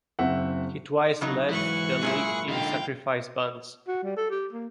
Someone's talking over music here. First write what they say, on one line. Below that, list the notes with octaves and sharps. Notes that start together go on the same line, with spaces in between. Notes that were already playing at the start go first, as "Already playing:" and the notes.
He twice led the league in sacrifice bunts.
F#1 C4 E5 F#5
C#3 F#3 D#4
G#2 E3 C#6 F#6
F#2 A#2 E4 G#4
D3 D#4 F5 G5
F#4
G3
A4
G4
A#3